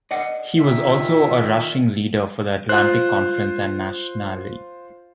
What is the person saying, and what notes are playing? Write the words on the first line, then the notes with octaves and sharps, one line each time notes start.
He was also a rushing leader for the Atlantic conference and nationally.
D5 D#5 F#5
A#2 D#3 E5
F4 C5 F#6